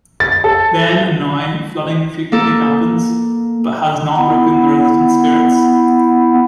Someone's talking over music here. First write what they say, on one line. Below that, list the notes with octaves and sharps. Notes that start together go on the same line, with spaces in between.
Then and now, flooding frequently dampens, but has not broken the residents' spirits.
A6
A4
A#3 A4
B3 E4